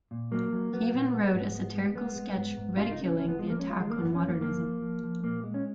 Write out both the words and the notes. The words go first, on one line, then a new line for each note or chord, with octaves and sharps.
He even wrote a satirical sketch ridiculing the attack on modernism.
A#2
F#3 A#3
F#3
F#3 B3
A#2
G#3
G#2
G#3
G#3
G#3 B3
G#3
G#2
G#2
C#3 F4
D#4
C#3
C#4
F3 C#4
B3
F3 G#3
A#3
G#3 C#4
F4
D#3 G#3
A#3
F#2 B3
C#4
F#2
A#3
F3 A#3
F3
F3
F3
A#2 A#3
G#3
C#4